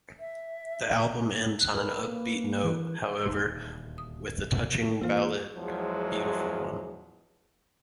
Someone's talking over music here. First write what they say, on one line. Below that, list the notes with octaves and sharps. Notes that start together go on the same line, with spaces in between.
The album ends on an upbeat note however, with the touching ballad, "Beautiful One".
E5
F#6
A#4 B4 F6
A#3
E3 B4
D#1 D2 D#4
D#6
F2 E3 A#3 F4 C5 F5
E2 F3 F#3 G#3